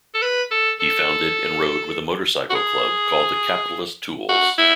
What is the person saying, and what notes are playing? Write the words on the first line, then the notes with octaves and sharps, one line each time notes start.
He founded and rode with a motorcycle club called the Capitalist Tools.
A4
B4
A4
A4
F#4
G#4
F#4
E4